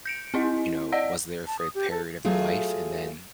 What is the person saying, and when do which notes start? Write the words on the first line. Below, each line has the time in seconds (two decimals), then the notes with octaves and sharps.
you know, was there for a period of your life and then
0.05 G6 C#7 D7
0.34 C4 E4 D#5
0.92 D5 D#5 F#5 E6
1.47 A5
1.59 D#6
1.75 G4
1.91 A4
2.25 F#3 A3 F4 G#4